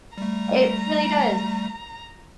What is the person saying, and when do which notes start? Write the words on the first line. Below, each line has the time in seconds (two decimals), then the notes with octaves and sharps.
It really does.
0.18 G3 A3 A#5